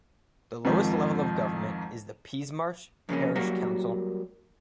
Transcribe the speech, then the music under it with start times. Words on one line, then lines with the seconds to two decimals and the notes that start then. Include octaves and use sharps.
The lowest level of government is the Peasmarsh parish council.
0.65 F2 G#2 D#3 F3
3.09 F2 C#3 A#3 C#4
3.35 F#3 G3 A#3 F#4 A#4